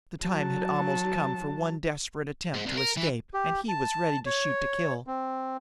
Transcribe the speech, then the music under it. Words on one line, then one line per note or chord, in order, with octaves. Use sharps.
The time had almost come for one desperate attempt to escape, and he was ready to shoot to kill.
F#3 A5
G#2
C2
A#4
E3
G4
A5
C#5
C4